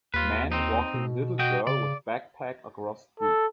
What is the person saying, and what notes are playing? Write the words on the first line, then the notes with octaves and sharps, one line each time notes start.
Man walking little girl with backpack across street.
D#2 F4 B4
C4 D#4
B2
F#4 D#5 G5
C#3 D5
A4